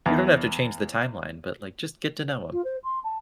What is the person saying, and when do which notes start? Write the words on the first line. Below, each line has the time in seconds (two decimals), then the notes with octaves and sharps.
You don't have to change the timeline, but, like, just get to know 'em.
0.06 E2
2.52 F4
2.64 C5
2.83 C6
3.04 A5